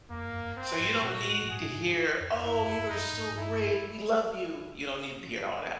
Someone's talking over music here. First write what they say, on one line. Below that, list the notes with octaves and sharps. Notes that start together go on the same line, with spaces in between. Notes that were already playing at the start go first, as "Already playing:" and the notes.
So, you don't need to hear, "Oh, you are so great. We love you." You don't need to hear all that?
F2 A#3
F#2
F#2
F#2
C4
G#2
A#2 F#4
A#2
A2
A2
G#2 G#4
G#2
F2
F2
F#2 E4
G2
F#2
G2
F#2 D#4
G#2
G#2
G2 E4